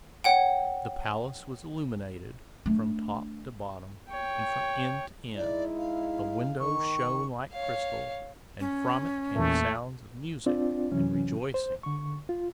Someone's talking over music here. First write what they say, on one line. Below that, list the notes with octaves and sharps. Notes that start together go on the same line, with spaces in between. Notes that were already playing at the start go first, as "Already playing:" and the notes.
The palace was illuminated from top to bottom and from end to end; the windows shone like crystal, and from it came sounds of music and rejoicing.
C#5 F#5 G5
A3 D4
C#5 G5
G#3 D#4 E4 D5
F5
D#3 C#6
C#5 F5
C#4
E2 A#2 A3
C4 D4 F4 D5
C3 E3 F#3 C#4
C5
D3 C#6
F4